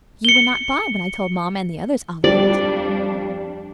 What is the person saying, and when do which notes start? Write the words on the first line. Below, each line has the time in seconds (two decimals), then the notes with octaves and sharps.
You were not by, when I told mamma and the others all about it.
0.25 C#7 G7
2.24 F2 G3 D4 G4 D5